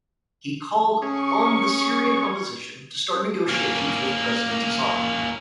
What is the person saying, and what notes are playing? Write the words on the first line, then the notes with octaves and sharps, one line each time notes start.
He called on the Syrian opposition to start negotiations with President Assad.
C#4 G#4 C#6
A#3 C#4